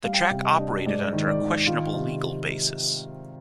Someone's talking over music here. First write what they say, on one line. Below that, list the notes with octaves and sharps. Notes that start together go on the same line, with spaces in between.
The track operated under a questionable legal basis.
G3 F5
G5
F5
C3
D#5
D4
G#2 D5
D#3
D5
D#3
D#3 F4
C3